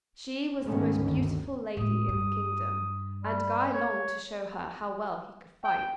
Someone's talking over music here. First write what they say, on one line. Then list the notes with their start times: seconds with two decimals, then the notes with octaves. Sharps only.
She was the most beautiful lady in the kingdom and Guy longed to show her how well he could fight.
0.65 G#2 D#3 G#3 A3 B3 C#4
1.01 G1 D2 D3 D#3
1.77 A2 G#3 D#6
2.09 G2
3.21 G3
3.72 C#5
5.64 G5